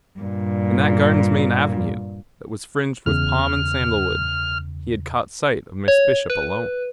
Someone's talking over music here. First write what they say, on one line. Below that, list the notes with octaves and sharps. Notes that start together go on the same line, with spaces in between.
In that garden's main avenue, that was fringed with palm and sandalwood, he had caught sight of Miss Bishop alone.
G2 A#2
E2 C#3 F6
C#5
B4